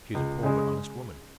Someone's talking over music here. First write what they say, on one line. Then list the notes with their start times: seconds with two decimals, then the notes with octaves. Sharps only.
She is a poor but honest woman.
0.15 C#2
0.43 C#3 G#3